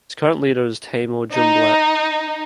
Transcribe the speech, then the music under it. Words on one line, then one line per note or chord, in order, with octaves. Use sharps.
Its current leader is Taymur Jumblatt.
D#4